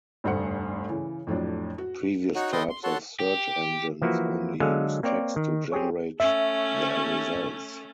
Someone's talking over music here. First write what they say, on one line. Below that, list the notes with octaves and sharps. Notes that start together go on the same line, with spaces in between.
Previous types of search engines only use text to generate their results.
F1 D2 G2 C5 F#5 C#7
C#3 E3
F2 A2 F#3 D4
F#4
D#4 F#4 C#5 F#5
A4 B4 D#5 G5 C6 D#6
C6
F#4 A4 C#5 F#5 A5 C6
G4
E3 F3 A#3 E4 F#4
D3 F#3 G#3 A4 F5 G#5
A#3 C4 C#5 D5
D#3
C4 G4 G#4 C#5
A3 C#4 E5